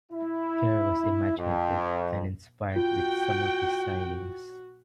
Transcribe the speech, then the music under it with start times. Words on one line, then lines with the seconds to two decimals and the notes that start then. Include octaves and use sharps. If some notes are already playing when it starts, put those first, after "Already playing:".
Kerr was imaginative and inspired with some of his signings.
0.12 E4
1.37 F2
2.76 F4 F#4 G5